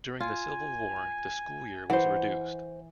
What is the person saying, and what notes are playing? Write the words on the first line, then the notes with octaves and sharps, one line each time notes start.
During the Civil War, the school year was reduced.
F4 G#5
E3 C5 F#5